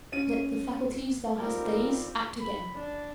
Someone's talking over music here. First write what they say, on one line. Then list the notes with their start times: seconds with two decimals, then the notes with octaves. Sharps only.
Let the faculties thou hast dazed, act again.
0.12 C#4 D#7
1.38 D2 G3 C4 D#4 F4 G4 A#4
2.40 B5
2.74 D4